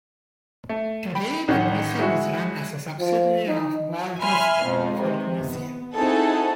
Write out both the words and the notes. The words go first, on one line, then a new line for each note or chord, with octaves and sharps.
Today the museum is run as a subsidiary of Valdres Folkemuseum.
A3
G5 B5
A1 D#3 C#4 F#5
G#3 E4 F#4
F3
D#4
E5 G#5 B5 C6 F6
F2 B2 G#3
C3 D#3
B3
C4 D#4 E4 F#4 G#4 A4